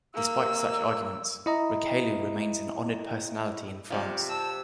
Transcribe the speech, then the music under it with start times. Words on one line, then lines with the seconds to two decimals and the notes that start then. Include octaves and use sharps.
Despite such arguments, Richelieu remains an honoured personality in France.
0.15 A#3 E6
1.46 E4 D#5 A#5
3.90 C3 F3 G3 F4
4.29 A5 E6